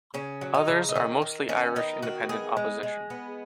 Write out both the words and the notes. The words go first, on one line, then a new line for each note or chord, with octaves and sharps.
"Others" are mostly Irish Independent Opposition.
C#3 C#4
F#3
D#4
C#3
D#4
D#3 C#4
D#3
D#3 C#4
B3 D#4
D#3 F#4
B3 G#4
G#3
G#3
B3